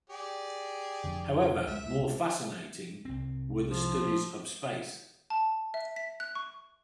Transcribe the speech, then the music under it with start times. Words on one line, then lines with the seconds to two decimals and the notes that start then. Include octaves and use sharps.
However, more fascinating were the studies of space.
0.10 G4 G#4 D5
1.04 F1 F2 D3
1.67 C#2 G#3 E5
3.05 C2 C4
3.71 F3
5.30 A5
5.74 E5
5.96 B6
6.20 F#6
6.35 C#6